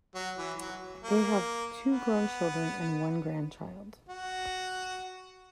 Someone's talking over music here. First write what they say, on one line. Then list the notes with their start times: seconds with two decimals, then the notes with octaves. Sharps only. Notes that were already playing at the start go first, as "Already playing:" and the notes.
They have two grown children and one grandchild.
0.15 F#3
0.37 E3
0.60 F#3
1.03 A#3
1.90 B3
4.09 F#4